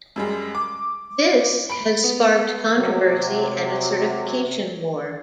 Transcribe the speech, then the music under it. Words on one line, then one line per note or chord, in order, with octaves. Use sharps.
This has sparked controversy and a certification war.
F#2 G3 G#3
D6
B5 D7
B3
C3 F#3